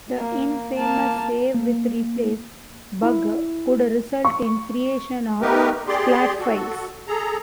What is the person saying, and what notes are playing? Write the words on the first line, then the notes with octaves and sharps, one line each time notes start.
The infamous save-with-replace bug could result in creation of splat files.
A#3
A#3 A5
A#3
E4
C#6
A3 B3 D#4 G4 A#4 B4
G4 G#4 D5 C6
F#4 A4
G#4 A4 A#5